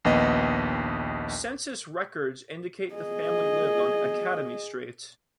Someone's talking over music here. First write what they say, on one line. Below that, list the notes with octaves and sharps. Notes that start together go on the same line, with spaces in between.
Census records indicate the family lived on Academy Street.
A#1 D#2 B3 D#5
G#4 D#5